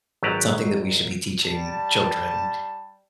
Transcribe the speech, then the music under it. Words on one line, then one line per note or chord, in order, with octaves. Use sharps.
something that we should be teaching children,
G#1 F#3 G4 B4 A5 A#5
G3 A5